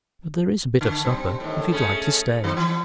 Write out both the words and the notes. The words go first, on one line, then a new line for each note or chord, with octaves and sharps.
But there is a bit of supper, if you like to stay.
D3
G3 C4
A2 D#3
A3 C#4 G#4
D#3 G3 C4
E3